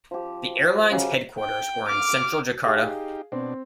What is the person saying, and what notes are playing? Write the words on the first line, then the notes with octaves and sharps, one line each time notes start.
The airline's headquarters were in Central Jakarta.
F3 G4
C#3 F#3 G4
G5
D6 F6
D#4 G4 G#4 F5
B2 C4 D4